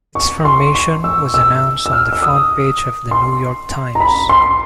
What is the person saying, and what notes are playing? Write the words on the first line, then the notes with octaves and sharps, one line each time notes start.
Its formation was announced on the front page of "The New York Times".
C#6
C6
C#6
E6
E6
E6
F6
E6
D#6
C6
A#5
B5
C6